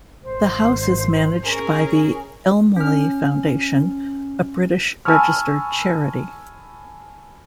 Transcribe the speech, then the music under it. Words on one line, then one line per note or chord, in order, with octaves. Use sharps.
The house is managed by the Elmley Foundation, a British registered charity.
G#1 C5
C#4 G#4 A#4
C#4 F6
G#5 A5 B5 C#6 E6 F6